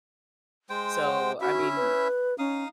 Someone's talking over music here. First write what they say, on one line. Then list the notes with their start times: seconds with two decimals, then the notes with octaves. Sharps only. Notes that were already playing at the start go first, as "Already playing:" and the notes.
So, I mean,
0.70 G#3 C5 G5
1.00 F#5
1.41 C#4 E4 F#4 E5
1.76 B4
2.39 C#4 D#4 F5 D#6